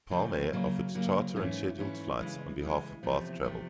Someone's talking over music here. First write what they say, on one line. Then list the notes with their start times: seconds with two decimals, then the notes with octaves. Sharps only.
Palmair offered charter and scheduled flights on behalf of Bath Travel.
0.11 C#3 F3 A3 C4
0.53 C#3 F#3 A#3
0.95 C#3 F#3 A#3
1.36 G#2 E3 A3 C#4 E4
1.78 G#2 E3 A3 C#4 E4
2.20 C#3 E3 G#3
2.61 C#3 E3 G#3
3.03 E2 C3 F3 A3 C4
3.44 E2 C3 F3 A3 C4